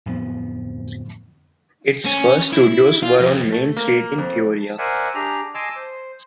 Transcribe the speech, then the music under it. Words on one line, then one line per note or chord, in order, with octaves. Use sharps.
Its first studios were on Main Street in Peoria.
D1 F2 F3 B3
C#4
E4
F4
F2
A3
A#3
F2
A5
A#4 C5 D5 E5 F#5 G#5
D4 G4 G#4 A#5
D#5 G#5 A5 C6 D6 E6
C5